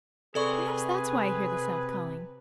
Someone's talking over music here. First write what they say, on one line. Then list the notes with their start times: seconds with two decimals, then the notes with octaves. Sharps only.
Perhaps that is why I hear the South calling.
0.35 C3 G#4 A4 B4 D5 C#6